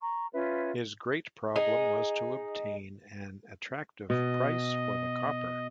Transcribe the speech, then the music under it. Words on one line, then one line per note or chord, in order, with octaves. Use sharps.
His great problem was to obtain an attractive price for the copper.
A#5 C#6
C#4 F4 B4 E5
D#4 G#4
B2 D#5